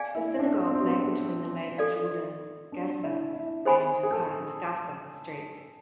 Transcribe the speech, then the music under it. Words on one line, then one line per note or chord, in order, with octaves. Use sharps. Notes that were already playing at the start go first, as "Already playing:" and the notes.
The synagogue lay between the later Jordangasse and Kurrentgasse streets.
Already playing: G#4 D5 F5 G#5
E4
D4
C4
C4
B3
A4 D5 F5
D4
E4
E4
G#4 C5 G#5 B5
G#4
A4